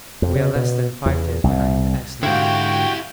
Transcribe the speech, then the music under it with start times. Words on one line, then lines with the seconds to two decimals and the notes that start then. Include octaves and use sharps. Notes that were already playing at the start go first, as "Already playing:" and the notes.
We are less than five days behind S. now.
0.22 F2
0.35 C#3
0.56 B2
1.06 E2
1.44 C2
2.23 G#2 D3 E4 F#4 G4 F5 G5